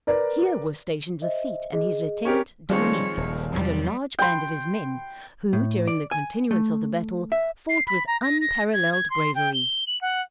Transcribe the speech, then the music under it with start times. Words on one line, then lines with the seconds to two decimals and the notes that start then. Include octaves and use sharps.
Here was stationed Lafitte and his lieutenant Dominique and a large band of his men, who during the continuance of the battle, fought with unparalleled bravery.
0.07 A#4 B4 D5
1.22 C5 D#5 E5
1.73 G#4 D#5
2.25 C#4 G4 A#4
2.70 D#3 F3 G3 G#3 C4 C#5
3.17 D#1
3.53 E2 C3 F#3 G3
4.19 G5 C6
5.53 A2
5.87 D5
6.11 G#5
6.51 A3
7.32 E5
7.69 C7
7.87 B5
8.07 A#5
8.22 A#6
8.41 A#6
8.73 G#6
8.92 G#6
9.10 C6
9.35 G5
9.54 G7
9.87 F#7
10.01 F#5